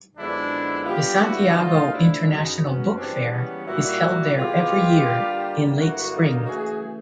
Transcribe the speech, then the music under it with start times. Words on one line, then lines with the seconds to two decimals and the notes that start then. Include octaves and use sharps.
The Santiago International Book Fair is held there every year in late spring.
0.17 F#2 D3 F3 G#3 B3 D4 E4
0.86 D3 G3 B3 F4 G4
1.21 E4 F#4
1.56 A#2 F3 A3 D#4 F4
1.91 D4 E4
2.26 F#2 C#3 F#3 B3 C#4 D#4
2.61 B3 C#4
2.96 C#3 E3 G3 A#3 C4 D4
3.31 B3 C#4
3.66 A#2 G3 A#3 E4 F#4
4.37 C3 E3 G#3 B3 F4 G4
5.06 D3 G3 A#3
5.76 G2 D3 F#3 A#3 E4 F#4
6.11 D#4 F4
6.46 C#3 E3 A3 F#4 G#4